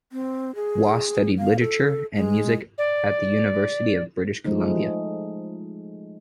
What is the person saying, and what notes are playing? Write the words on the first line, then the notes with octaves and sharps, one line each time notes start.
Wah studied literature and music at the University of British Columbia.
C4
G#4
F5
A4
G#3
D5
F3 G#3 A3 D#4